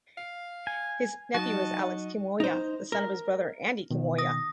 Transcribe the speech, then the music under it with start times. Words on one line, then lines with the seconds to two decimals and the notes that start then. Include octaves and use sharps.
His nephew is Alex Kiwomya, the son of his brother Andy Kiwomya.
0.18 F5
0.67 G#5
1.34 F#3 D#4 F#4 D#5 A5
2.40 D#4 C5
2.92 A#4
3.90 B2 D#3
4.18 D#6 A#6